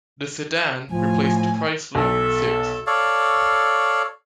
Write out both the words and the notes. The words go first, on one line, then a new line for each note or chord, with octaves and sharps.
The sedan replaced the Chrysler Cirrus.
A2 F3 G#5
B1 A4 E5 A5
A4 C#5 D5 F5